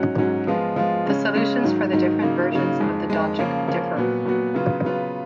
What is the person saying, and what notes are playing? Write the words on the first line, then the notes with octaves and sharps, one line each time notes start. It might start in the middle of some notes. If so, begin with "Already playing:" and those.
The solutions for the different versions of the Dogic differ.
Already playing: G#2 F#3 C#4 F#4
G#2 F#3 C#4 F#4
F3 G#3 B3 F4
F3 G#3 B3 F4
C#3 G#3 C#4
C#3 G#3 C#4
G#2 D#3 F#3
G#2 D#3 F#3
C#3 F#3 A#3 D#4
C#3 F#3 A#3 D#4
F2 D#3 G#3
F2 D#3 G#3
C#3 F3 A#3 C#4
C#3 F3 A#3 C#4
A#2 F#3 B3 F#4
A#2 F#3 B3 F#4
C#3 F#3 B3 F4
C#3 F#3 B3 F4